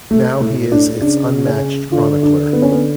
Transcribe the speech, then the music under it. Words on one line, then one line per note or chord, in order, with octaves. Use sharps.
Now he is its unmatched chronicler.
A3
A2 A3
A2 D4
C#3 D4
C#4
D3 F4
D4
B3
C#4
B3